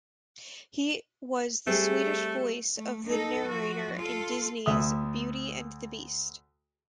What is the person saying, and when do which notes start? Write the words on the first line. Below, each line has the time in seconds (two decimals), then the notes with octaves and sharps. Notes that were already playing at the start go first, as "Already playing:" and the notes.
He was the Swedish voice of the Narrator in Disney's "Beauty and the Beast".
1.67 G3 A3 C4 G#4
2.77 A3
3.06 D#4 A4
3.47 F3 F#4
3.96 F4 A4
4.66 D2 E5 D#6